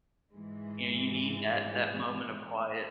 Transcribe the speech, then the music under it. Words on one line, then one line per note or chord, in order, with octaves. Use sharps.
You know, you need that that moment of quiet.
G#2 E3 G#3